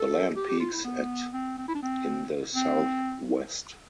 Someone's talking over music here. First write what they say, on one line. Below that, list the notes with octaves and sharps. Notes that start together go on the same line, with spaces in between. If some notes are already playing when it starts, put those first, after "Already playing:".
The land peaks at in the south west.
Already playing: A4
G4
G4
F4
E4
B3
C4
C4
E4
D4
C4
C4